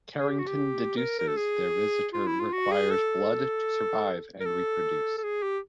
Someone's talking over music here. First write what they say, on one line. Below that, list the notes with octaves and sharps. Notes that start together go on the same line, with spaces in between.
Carrington deduces their visitor requires blood to survive and reproduce.
G#4
G4
F#4
G4
A#4
A#4
A4
G#4
F4
E4
F4
F#4
G#4
A4
A#4
A4
A4
G#4
G4